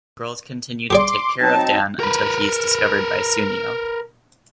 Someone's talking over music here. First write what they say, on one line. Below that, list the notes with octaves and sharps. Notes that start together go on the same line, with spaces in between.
The girls continue to take care of Dan until he is discovered by Tsuneo.
G4 G#4 D5 C6 D6
F#3 C4 D#4 A5
A#4 B4